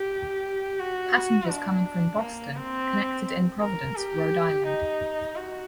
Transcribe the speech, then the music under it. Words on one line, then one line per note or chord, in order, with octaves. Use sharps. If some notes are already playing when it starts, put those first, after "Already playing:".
Passengers coming from Boston connected in Providence, Rhode Island.
Already playing: G4
F#4
D4
A#3
C4
A#4
G4
D#4
F#4